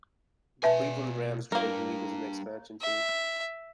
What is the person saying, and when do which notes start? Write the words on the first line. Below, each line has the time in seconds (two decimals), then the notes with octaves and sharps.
The Cleveland Rams joined the league as an expansion team.
0.63 B2 B4 E5 G#5 A5
1.52 G3 A#3 D4 A#4
2.82 E5